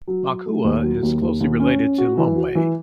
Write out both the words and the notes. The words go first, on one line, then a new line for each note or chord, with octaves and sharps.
Makhuwa is closely related to Lomwe.
F#3
F#3
A3
D#2
F#3
D#2
D#2
D#2
C#4
C#4
F#4
E3
F#4
E3